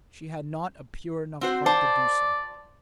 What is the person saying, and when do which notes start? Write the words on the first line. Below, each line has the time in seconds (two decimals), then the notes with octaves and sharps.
She had not a pure enough heart to do so.
1.41 C4 F#4 C5
1.66 C5 D5 A5